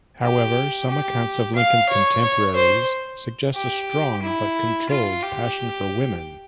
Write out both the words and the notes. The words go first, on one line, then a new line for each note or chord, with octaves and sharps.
However some accounts of Lincoln's contemporaries suggest a strong but controlled passion for women.
G4
G4
F5
C#5
C#5
C5
G4
E4
F4
G4